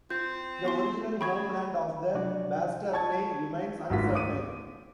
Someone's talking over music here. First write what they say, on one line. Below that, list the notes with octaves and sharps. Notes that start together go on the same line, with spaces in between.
The original homeland of the Bastarnae remains uncertain.
C4 F4 G6
B3 F#4 C6
C#3 A3 G5 B5 C#6 G#6
C3 F3 F#3 D4 F#4 D5
A5 C#6 G#6
G#1 D2 F4 F#4 B6
D6 D#7